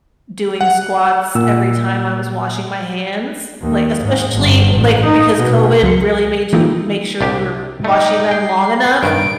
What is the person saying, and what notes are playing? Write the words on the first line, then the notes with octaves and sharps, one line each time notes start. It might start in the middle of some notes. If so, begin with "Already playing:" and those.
doing squats every time I was washing my hands like, especially, like because COVID really made you make sure you were washing them long enough.
F#5
A#2 E6
D#2
G#2
G1
A1
D#4
B2
C#2 F#3 C6 C#7
E3 A#3 D#4 F4 A4 G5
C2 D4 G4
A3 D#4 G4
G5 C7
G2 D#3 D7